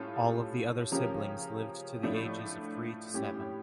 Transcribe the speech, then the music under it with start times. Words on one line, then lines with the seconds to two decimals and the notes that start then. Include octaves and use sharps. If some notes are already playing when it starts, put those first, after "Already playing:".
All of the other siblings lived to the ages of three to seven.
Already playing: A2 G3 C#4 F4 A4
0.92 C#3 F3 C#4 G4 A#4
2.03 A2 F3 A3 D4
3.14 A2 G3 C#4 G4